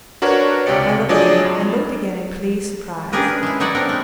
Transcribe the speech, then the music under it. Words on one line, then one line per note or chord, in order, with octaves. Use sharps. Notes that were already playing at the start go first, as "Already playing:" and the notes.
I looked, and looked again in pleased surprise.
D4 F#4 A#4 B4 C#5
C#2 C3 G4 D5 C#7
F3 F#3 D4 G#4 D5 D#5
F2
C#4 D4 G4 G#4 A#4 B4
G#4
G#3 E4
F#3 D#4 C#5 D5 F#5
B3 C4 D4 A#4
A3 G4